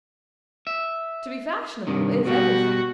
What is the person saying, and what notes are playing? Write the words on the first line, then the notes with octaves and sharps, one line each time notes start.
To be fashionable is everything.
E5
G2 C3 D#3
B2 G3 F#4